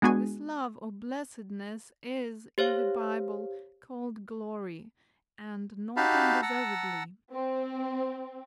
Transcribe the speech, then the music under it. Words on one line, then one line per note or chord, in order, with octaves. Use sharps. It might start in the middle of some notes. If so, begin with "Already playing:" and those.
This love or blessedness is, in the Bible, called Glory, and not undeservedly.
G#3 B3 D4 F#4 G#4 G#5
G4 C5 C#5 F5
D#4 F#4 G4 F5 A5 B5
F#5 A5 A#5 E6
C4